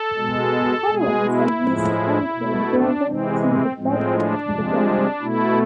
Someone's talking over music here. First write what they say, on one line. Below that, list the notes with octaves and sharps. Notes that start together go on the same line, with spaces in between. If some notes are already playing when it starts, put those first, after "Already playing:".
Pilings are used to anchor the building to the bedrock underground.
Already playing: A4
B2 G#3
B2 G#3 G#4
E4
A2 F3 G#3
B2 A3
D4
C3 E3 G#3 C4
C4
A2 F3 G#3 C4
D4
C3 F3 G#3
B2 A3 E4